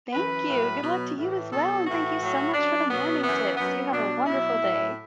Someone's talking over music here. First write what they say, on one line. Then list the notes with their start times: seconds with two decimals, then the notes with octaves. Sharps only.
Thank you, good luck to you as well, and thank you so much for the morning tips you have a wonderful day.
0.13 F#2 E3 B4
0.48 A2 F#3
0.81 B2 F#3
1.16 A2 E3
1.50 B2 F#3 A4
1.85 A2 E3 F#4
2.20 A2 F#3
2.53 F#2 F#3 D4
2.88 B2 F#3 B3
3.22 F#2 E3 B3
3.57 F#2 F#3 B3
3.91 B2 F#3 D4
4.25 B2 F#3 E4
4.60 A2 F#3